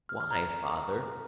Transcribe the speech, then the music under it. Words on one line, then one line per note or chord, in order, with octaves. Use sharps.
"Why, father?"
F6
F6
A#5